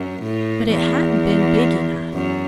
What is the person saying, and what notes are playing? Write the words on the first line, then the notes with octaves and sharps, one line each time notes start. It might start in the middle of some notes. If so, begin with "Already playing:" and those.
But it hadn't been big enough.
Already playing: F#2
A2
E2
F#2